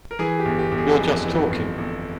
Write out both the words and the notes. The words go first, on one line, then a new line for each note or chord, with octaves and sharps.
You’re just talking.
A#4
E3 G#4
G4
G1
G4
G1
G#4
F2
E3
G1
G1